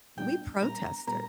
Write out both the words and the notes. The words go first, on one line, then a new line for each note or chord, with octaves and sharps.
we protested,
A#2 G3 B3 D4 G5
A#2 G3 B3 D4 A#4 A#5
A#2 G3 B3 D4 A#4 A#5